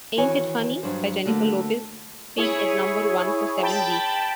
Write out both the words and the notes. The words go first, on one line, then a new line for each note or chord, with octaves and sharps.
"Ain't It Funny" by Jennifer Lopez peaked at number one for seven weeks.
D#3 E3 F#4 C#5 G#5
G2 F#3 D4 C5
D3 A3 A#3 F#4
E4 G#4 C#5
G5 A5 B5